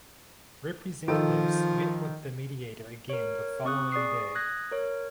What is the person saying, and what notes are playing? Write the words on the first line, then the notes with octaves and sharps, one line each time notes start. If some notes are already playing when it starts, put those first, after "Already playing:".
Representatives met with the mediator again the following day.
D#3 F3 A4
A#4 C#5
C4 C#6 D#6 F#6
G#4 D5 C#6 D#6 C7
D#6 F#6 G#6 A#6
A#4 C#5